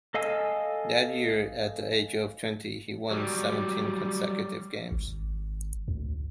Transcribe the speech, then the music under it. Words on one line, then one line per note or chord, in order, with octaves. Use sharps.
That year, at the age of twenty, he won seventeen consecutive games.
A4 D#5 F5 G#5 E6
F#3 G3
G#1
D2